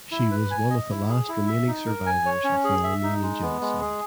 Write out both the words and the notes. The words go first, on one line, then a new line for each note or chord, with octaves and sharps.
She was one of the last remaining survivors of the Armenian genocide.
E4
B4
G#5
D#5
E4
G#4
E4
E5
D#4
A#4
G#5
C#5
C#4
G#4
E5
D#4
G#3
B3
G#3
G#4